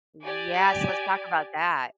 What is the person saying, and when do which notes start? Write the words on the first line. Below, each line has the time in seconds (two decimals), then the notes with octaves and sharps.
Yes. Let's talk about that.
0.23 G4 D5 G#5